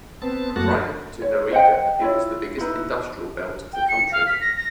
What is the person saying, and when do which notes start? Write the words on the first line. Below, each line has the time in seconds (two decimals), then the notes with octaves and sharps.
Prior to Noida it was the biggest industrial belt of the country.
0.22 B3 C4 A5
0.56 F#2 A3 A#3 F#4 F#5 A5
1.22 C#5
1.51 C5 D#5 F#5 G5
2.01 E4 F4 C#5
2.58 D#4 E4 B4
3.73 G5
3.88 C#7
4.11 F5
4.26 B6
4.40 A#6
4.56 A#6